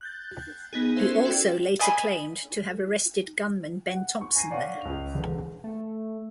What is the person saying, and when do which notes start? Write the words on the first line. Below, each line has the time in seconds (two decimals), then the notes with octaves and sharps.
He also later claimed to have arrested gunman Ben Thompson there.
0.01 F#6 G6 A6
0.73 B3 D#4 G#4
0.96 C#4 E4 F4 A4 C5 E5
1.24 F#4 A4 D5 G5
1.79 D5 D#5 G#5 B5
3.92 F#5
4.21 C#6
4.35 G#5 A#5 A#6 C7 D#7
4.50 C#5 D5 F5 F#5 C#6
4.81 C#2 F7
5.15 E1 D3 D4
5.64 A3